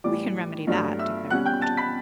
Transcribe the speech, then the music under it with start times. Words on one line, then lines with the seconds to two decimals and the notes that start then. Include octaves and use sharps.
"We can remedy that," declared Uncle John.
0.04 A2 E3 G3 D5 D6
0.67 G2 F#3 A3 D4
0.99 E5 E6
1.30 B2 G3 C#4 F#5 F#6
1.46 G5 G6
1.61 A5 A6
1.77 B5 B6